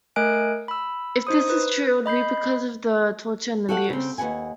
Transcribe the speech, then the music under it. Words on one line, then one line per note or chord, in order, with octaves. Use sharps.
If this is true it would be because of his torture and abuse.
A3 A#4 D#5 G#5 F#6 D7
B5 E6
D#4 C5 D#6
B4
D#5 B5 G6 C7
F#4 G4 A4 D5 E5 F#5
C#3 C4
D#2 B4 F#5 G#5